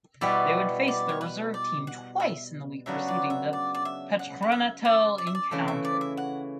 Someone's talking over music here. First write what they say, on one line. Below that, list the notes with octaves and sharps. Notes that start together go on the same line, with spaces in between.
They would face their reserve team twice in the week preceding the Patronato encounter.
B2 G3 B3 E4 D5
D5
C#5
B4
D5
F#5
E5
C#3 F#3 B3 D4 F#4 E5
D5
E5
D5
D5
E5
F#5
F#5
E5
D5
D5
E5
D5
C#3 E3 A3
E5
D5
E5
F#5